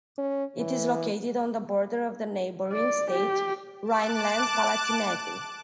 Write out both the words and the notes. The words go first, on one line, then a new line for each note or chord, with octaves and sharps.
It is located on the border of the neighbouring state Rhineland-Palatinate.
C#4
E3
D5
G4
A5 D6 F#6